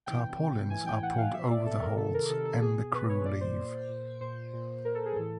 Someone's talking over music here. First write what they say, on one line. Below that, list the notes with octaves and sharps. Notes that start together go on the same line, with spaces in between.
Tarpaulins are pulled over the holds and the crew leave.
C3 E3 G5
C3 E3
A2 E3 G#5
G5
A2 E3 F#5
F5
B2 E5
D5
B2 A4
A#4
C3 D#3 A4
A#4
C3 D#3 A4
A4
B2 G#4
B2 B4
C#5
A#2 D5
C5
A#2
A#2
A#2 C5
A#2
A#2 A#4
A4
G#4
A2 E3 A4